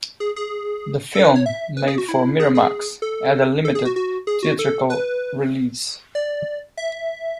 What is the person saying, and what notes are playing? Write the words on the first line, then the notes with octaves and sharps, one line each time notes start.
The film, made for Miramax, had a limited theatrical release.
G#4
G#4
A4
B4
C#5
E5
B4
G#4
F#4
E4
G#4
G#4
A4
A4
G#4
F#4
F#4
G#4
F#4
A4
B4
D5
E5